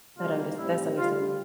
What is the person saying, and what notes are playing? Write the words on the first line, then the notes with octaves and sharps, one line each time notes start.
That under that's understand
D2 C3 E3 G3 A#3 F4
A2 G3 C4 E4
D2 D3 G3 F4